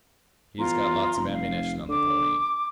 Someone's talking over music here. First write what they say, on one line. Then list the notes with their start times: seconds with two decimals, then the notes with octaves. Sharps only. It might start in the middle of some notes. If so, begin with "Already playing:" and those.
He's got lots of ammunition on the pony.
0.58 E2 F4 A#5 C6
1.17 F1
1.33 F5
1.88 D3 D6